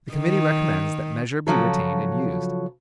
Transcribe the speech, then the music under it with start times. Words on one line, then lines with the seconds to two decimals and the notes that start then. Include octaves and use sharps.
The Committee recommends that Measure be retained and used.
0.13 D#3
1.47 C#3 F3 F#3 A4